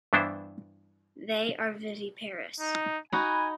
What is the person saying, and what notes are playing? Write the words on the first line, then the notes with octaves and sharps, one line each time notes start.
They are viviparous.
G2 E3 B3 D4 E4 C5
D#4
D#4 F#4 G#5 B5